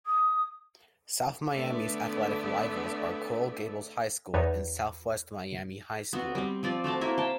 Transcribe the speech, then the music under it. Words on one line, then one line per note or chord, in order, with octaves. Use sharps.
South Miami's athletic rivals are Coral Gables High School and Southwest Miami High School.
D#6
D3 A3 B3 D5 E5
E2 B3 D#4 C#5 G#5
B3 C4 F#4
G3 C4
F3 C4 D5
A3 F#4 C5 A5
A#3 E4 A#4 E5
F5 G5 A5